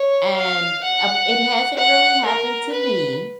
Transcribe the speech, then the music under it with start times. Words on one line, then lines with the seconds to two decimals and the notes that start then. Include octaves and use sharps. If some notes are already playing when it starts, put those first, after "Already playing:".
And av it hasn't really happened to me,
Already playing: C#5
0.36 F5
0.83 F#5
1.78 F#5
2.25 A#4
2.72 B4